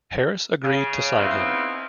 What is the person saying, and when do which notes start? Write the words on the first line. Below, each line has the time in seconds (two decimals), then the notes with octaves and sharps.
Harris agreed to sign him.
0.64 C#3
1.18 B3 C4 D#4 E4 E5 F5